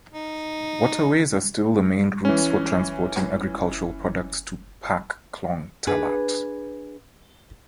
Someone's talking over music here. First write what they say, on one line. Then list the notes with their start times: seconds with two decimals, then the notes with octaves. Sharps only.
Waterways are still the main routes for transporting agricultural products to Pak Khlong Talat.
0.13 D#4
2.25 E3 C#4
5.87 D4 G#4 B4